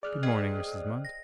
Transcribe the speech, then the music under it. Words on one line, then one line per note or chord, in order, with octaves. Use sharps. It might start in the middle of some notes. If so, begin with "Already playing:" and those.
Good-morning, Mrs. Munt.
G#4 D5 F6 F#6
C5 D#5 G5
A#6